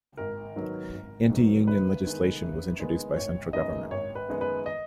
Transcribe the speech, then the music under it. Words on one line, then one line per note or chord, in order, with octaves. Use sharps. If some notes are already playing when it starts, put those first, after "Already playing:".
Anti-union legislation was introduced by central government.
G#1 A#4
G#2 D#3 F#3 B3
G#1
G#2 D#3 F#3 B3
F#2 B4
D#3 G#3 B3
F#2
D#3 G#3 B3
G#1 C#5
F#2 D#3 G#3 B3 D#5
G#1 C#5
B4
F#2 D#3 G#3 B3
B4
D#5